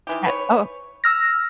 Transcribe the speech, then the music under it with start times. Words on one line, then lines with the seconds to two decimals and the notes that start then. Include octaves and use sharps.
Uh oh.
0.07 D#3 E3 G4
0.25 B4 C#5
1.04 E6 F6 A#6